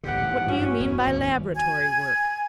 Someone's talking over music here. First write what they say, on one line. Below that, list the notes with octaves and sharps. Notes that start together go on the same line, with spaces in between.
"What do you mean by Laboratory Work?"
G#1 G2 D3 B3 G4 F#5
A1 G#2
G2 E3 C#4 F#4
E1 B3
G#1 D#2
G#5 G#6